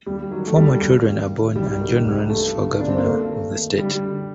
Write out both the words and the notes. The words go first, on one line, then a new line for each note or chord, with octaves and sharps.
Four more children are born, and John runs for governor of the state.
D#2 G3
D#3 F#3
A3
D#2 G3
D#2 G3
D#2
D#3
C2 G3
D#3
C2
G2 A3
D3
D3 D4
C4
A#3
G2 A3
D#3
D#3
D3 G3
D3